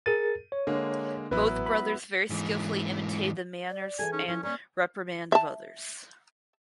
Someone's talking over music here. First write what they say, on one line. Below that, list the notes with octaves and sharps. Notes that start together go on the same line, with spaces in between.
Both brothers very skillfully imitated the manners and reprimand of others.
G#4 A#4 A6 D#7
C#5
D3 G#3 A#3
A1 F#3 B3 E4 B4
B5
G#2 E3
D5
E3 G#4 A4 G#5
C#4 D#4
F3 C#4 E4
A#3 C#4 A#4 D5
E5 A5